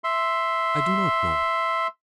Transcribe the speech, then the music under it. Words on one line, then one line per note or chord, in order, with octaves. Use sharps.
"I do not know."
E5 C6